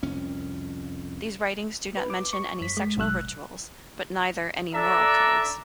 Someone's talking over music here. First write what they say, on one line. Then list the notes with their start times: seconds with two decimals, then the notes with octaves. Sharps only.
These writings do not mention any sexual rituals, but neither any moral codes.
0.03 C2 F2 C#4
1.97 B4
2.10 D6
2.33 C#6
2.61 F#2 B6
2.77 G#3
2.97 G#1 B2 F#3 E6 F#6
4.74 D4 A4 D5 E5 A#5